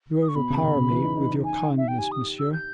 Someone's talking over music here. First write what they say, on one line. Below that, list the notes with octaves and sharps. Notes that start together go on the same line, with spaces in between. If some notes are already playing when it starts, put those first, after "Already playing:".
"You overpower me with your kindness, monsieur."
D#6
C#6
B2 B5
C#3
C#3
C#3
E3
D#4
D#4
D#4
G#5
E5
G5
G4 G#5
D#6
E6
G6